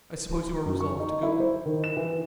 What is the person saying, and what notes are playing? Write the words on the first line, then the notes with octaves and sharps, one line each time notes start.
I suppose you are resolved to go?
F#2
C#6
D#4
E4
C5
D#3
E7
E3